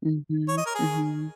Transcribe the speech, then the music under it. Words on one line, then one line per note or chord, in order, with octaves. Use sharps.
Mhm. Mhm.
C#5
D#5
A#4
G#4